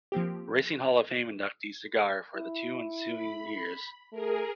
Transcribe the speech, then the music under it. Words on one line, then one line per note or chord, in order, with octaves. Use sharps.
Racing Hall of Fame inductee Cigar for the two ensuing years.
F3 A#3 C4 G4
E4
B5
A3 G#4 A#4